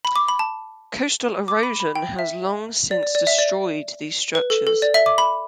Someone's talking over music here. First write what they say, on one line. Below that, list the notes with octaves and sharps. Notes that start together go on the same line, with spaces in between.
Coastal erosion has long since destroyed these structures.
B5
D6
B5
A5
D6
B5
B5
G5
E5
D5
D5
D5
E5
D5
B4
A4
A4
D5
E5
D6
B5